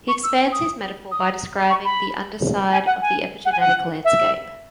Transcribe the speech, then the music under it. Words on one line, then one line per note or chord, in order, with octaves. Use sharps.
He expands his metaphor by describing the underside of the epigenetic landscape.
C#6
E6
D#6
D#6
C#6
B5
G#5
F#5
G#5
F#5
G#5
F#5
E5